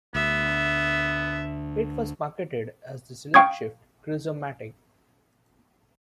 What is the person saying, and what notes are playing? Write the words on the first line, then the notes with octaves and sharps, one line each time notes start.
It was marketed as the "SelectShift Cruise-O-Matic".
D2 B3 E5
F5 G5 C#6 D#6 G#6